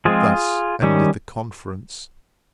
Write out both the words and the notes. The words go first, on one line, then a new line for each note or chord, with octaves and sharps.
Thus ended the conference.
F3 G#3 C4 F4 G#4
D#3 G3 C#4